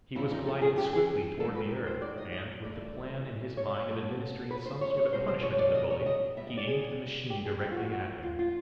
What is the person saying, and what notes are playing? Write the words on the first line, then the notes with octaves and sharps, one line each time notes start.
He was gliding swiftly toward the earth, and, with the plan in his mind of administering some sort of punishment to the bully, he aimed the machine directly at him.
E2 C#3 F3 E4
D#4
A4
G#4
G4
G#4
G#2 D#3 F#3 A3 A4
B4
A#4
C5
D5
D#5
D#5
G2 E3 A3 D5
C#5
A#2 F#3 A3
B4
C5
C#5
C#5
B2 G3 C5
C5
C#5
D5
D#5
C#5
D#5
B2 G3 E5
D#5
D5
G#4
G4
G#4
A2 F3 A3 G4
F4
F#4
F#4
F4
F4